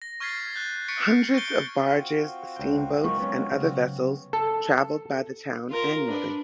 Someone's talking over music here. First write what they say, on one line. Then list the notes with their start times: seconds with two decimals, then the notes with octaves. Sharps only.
Hundreds of barges, steamboats, and other vessels traveled by the town annually.
0.02 A#6
0.20 C#6 F6 G#6 A6 B6 C7
0.54 F#6 G6 A6
0.88 C#6 A6 B6 C#7 D7
1.34 C#6 G6 D7 G7
1.82 C4 F4 F#4
2.56 C#2 G5
3.04 F3 F#3 G#3 D#4 A#4 C#6
3.20 B3 C#4
3.52 C#3 F#3
4.33 A4
5.70 F4 A#4
6.07 D4 B4